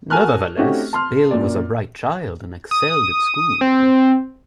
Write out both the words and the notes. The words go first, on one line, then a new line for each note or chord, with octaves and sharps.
Nevertheless, Bill was a bright child, and excelled at school.
F#4 A#4 G#5 A5 F6 F#6
A3 C4 C#4 D#4 F#4 G4
A5 C6 F6
F#2 A#2 D5
D#6
C4